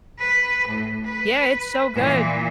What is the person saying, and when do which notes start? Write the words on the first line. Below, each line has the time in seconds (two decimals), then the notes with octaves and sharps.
Yeah, it's so good.
0.19 B4
0.68 A2
1.05 B4
1.94 A#2 E3